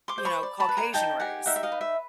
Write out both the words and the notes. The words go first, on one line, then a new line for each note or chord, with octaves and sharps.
you know, Caucasian race,
C6 D6
C5
B5 C#6
D5
A5 B5
B4
G#5 A#5
D#4 G5 A5
G4 F#5 G#5
D#4 E5 F#5
E5
D#5 F5
B4
E5